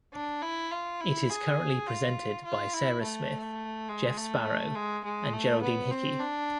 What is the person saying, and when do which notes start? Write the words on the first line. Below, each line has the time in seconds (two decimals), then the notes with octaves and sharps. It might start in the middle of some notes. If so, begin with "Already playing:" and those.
It is currently presented by Sarah Smith, Jeff Sparrow and Geraldine Hickey.
0.14 D4
0.42 E4
0.71 F4
1.01 E4
1.29 G#4
1.87 F4
2.44 F4
2.73 E4
3.02 A3
3.88 G#3
4.17 A3
4.75 G#3
5.04 G#3
5.33 A3
5.61 B3
5.90 C4
6.19 D4